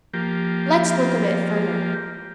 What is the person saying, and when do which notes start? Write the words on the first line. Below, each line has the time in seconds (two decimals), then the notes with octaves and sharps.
"Let's look a bit further."
0.14 F3 A#3 G4